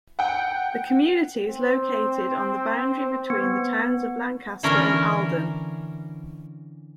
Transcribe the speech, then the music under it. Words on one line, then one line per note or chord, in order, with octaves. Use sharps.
The community is located on the boundary between the towns of Lancaster and Alden.
F#5 G5
C4
B3
D3 E3 C#4 A#4